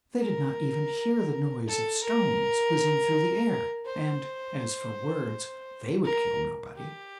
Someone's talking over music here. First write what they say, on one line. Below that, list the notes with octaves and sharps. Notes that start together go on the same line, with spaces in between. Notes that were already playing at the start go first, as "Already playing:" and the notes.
They did not even hear the noise of stones whizzing through the air, and as for words, they would kill nobody.
A#4
A4
A#4
C5
A#4
G4